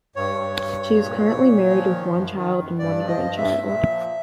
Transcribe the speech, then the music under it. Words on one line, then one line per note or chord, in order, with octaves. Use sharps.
She is currently married with one child and one grandchild.
G2 C#5
G2
G2
G2
A#2
A#2
A#2
F3
D#3
F#2
D#3
F#2
G2 D5
F3
D#5
G2
E5
G2
A#2 E5
F3